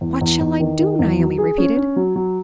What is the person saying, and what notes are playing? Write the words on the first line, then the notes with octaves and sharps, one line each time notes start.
"What shall I do?" Naomi repeated.
E2
E2
E2
D#3
D#3
E2
F#3
G#4
C#4
C#4
F#3
F#3